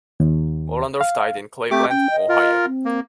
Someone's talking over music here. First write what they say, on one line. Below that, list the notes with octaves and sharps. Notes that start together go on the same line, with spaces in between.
Ollendorff died in Cleveland, Ohio.
D#2
F5
A3 C4 G4 D6
C#4 G5
D#5
F4 A#4
C4
A#3